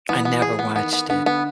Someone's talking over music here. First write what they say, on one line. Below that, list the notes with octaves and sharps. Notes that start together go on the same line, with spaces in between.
I never watched it.
E3 B3
B3
G#4
B3
D#3 B3
B3
D3 B3
B3